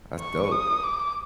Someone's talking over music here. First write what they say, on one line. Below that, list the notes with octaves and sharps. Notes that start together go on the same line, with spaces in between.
That's dope.
C#6
D#6
D6